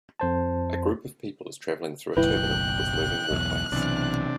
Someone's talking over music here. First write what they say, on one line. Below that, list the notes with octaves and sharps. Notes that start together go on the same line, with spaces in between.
A group of people is traveling through a terminal with moving walkways.
F2 C5 A5
F#1 B1 E4 B4 G5 F#6
B1 E2
B1 C3 E3 D4